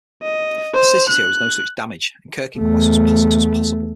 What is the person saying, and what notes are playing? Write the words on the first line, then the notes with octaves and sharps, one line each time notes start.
The city shows no such damage, and Kirk inquires how this was possible.
D#5
C5
F#6
E2 A3